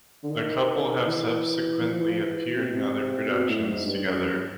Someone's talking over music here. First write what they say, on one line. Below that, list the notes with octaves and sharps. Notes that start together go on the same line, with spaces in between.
The couple have subsequently appeared in other productions together.
D3
D#3
E3
E3
F3
E3
F3
E3
C3
B2
C3
B2
A2
G#2
G2
F#2